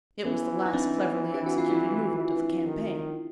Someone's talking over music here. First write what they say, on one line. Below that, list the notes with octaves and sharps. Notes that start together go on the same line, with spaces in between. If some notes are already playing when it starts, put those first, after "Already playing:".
It was the last cleverly executed movement of the campaign.
E3 B3 C#4
D#4
C4 D4
G4
F#4
F4
D4 E4
E3
D#3